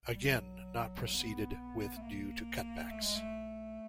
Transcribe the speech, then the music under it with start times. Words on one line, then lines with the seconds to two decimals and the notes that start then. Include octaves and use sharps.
Again not proceeded with due to cutbacks.
0.14 G3
0.26 F#3
1.14 B3
1.96 A3
2.02 A#3
2.90 A3
3.03 G#3
3.16 A3